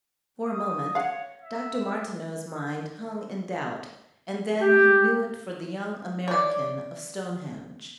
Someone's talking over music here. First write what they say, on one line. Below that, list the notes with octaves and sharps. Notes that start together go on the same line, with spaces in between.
For a moment Dr. Martineau's mind hung in doubt and then he knew it for the young American of Stonehenge.
D#6
C#5 F5 F#5
E5
G4
C#5 D5